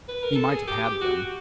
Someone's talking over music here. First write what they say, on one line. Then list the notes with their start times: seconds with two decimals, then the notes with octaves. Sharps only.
He might have had them.
0.08 B4
0.23 A#4
0.36 A4
0.49 G#4
0.68 G4
0.84 G4
1.01 F#4